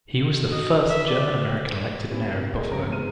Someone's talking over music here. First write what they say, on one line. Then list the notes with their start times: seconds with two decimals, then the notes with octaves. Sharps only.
He was the first German-American elected mayor of Buffalo.
0.51 F#4 D#5
0.89 E5
1.08 D5
2.09 B3 C#4 E4 G4 C5
2.28 C3
2.55 G#4 A#4 C#5 D#5
2.70 F1 C#3 C4 A#5 A#6 D7
2.89 G#2 G#3 B3 A#5 F6 D#7